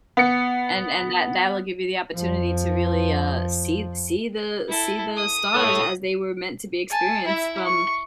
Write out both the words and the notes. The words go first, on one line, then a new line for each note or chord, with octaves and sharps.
And and that that will give you the opportunity to really, uh, see see the see the stars as they were meant to be experienced from,
B3 C#7
F2 F3
E4 A4
D#6
A4 C#5
G#5 A5
E4 E5
C#6